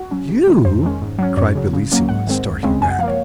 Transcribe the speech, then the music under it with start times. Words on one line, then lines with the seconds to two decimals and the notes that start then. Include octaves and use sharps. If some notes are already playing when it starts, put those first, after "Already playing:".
"You!" cried Bellissima, starting back.
Already playing: F#4
0.11 F#3 C#4
0.29 C3
0.47 D#3 G#3
0.65 F2 C5
0.83 D#3 G#3 C#4
1.02 G#2
1.19 F#3 C#4
1.37 F#2 C#5
1.55 C#3 F#3
1.73 C#3
1.92 F#3 A#3 C#4
2.09 G#2 F#5
2.27 D#3 G#3 C4
2.45 F#2
2.63 C#3 G#3 C4
2.81 F#2 G#5
2.90 F#5
2.99 F3 F5
3.03 A#3 C#5